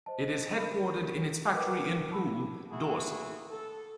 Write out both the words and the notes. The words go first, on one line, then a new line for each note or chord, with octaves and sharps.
It is headquartered in its factory in Poole, Dorset.
C5 D#5 A5
A#4 B5
A#4 B4 F#5 G5 D6
A5 B5 E6
A3 A#3 E4 F#4 G#4
A4